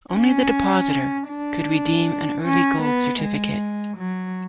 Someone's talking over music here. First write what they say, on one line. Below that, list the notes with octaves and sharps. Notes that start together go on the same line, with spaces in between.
Only the depositor could redeem an early gold certificate.
C#4
D4
C#4
B3
G#3
F#3